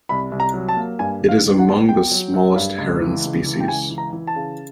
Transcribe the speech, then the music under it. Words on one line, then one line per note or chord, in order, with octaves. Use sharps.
It is among the smallest heron species.
C2 B5
C2
A#5
F#3
A5
A#3
G2 G#5
D#3
F5
D#3
F#5
B3
B3 G5
F#3
F#3
G2
C#2
E3
C#2
E3
G5
C#2 G#5
E3
A#5
E3
A5
C#3